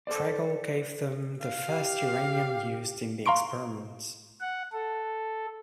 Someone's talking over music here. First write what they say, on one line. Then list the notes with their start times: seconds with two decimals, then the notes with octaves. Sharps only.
Pregel gave them the first uranium used in the experiments.
0.07 A4 A#4 C5 D5
1.41 F5
1.67 G4
3.26 F5 A#5 C6 C#6 D7
4.41 F#5
4.73 A4